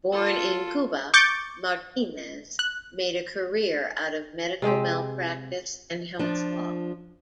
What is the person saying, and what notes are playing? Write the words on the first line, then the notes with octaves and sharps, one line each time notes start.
Born in Cuba, Martinez made a career out of medical malpractice and health law.
F4 A4
C#6 D6 G6 A6 C#7
F#6
C3 G#3 C4 G4
F3 D4